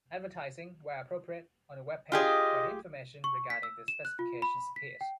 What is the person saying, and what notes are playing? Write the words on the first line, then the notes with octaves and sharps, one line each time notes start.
Advertising: where appropriate; on the web page, where the information regarding the specifications appears.
F4 G4 G#4 D#5
C#6
B6
E6
E7
F#6
F4
B5
B6
G5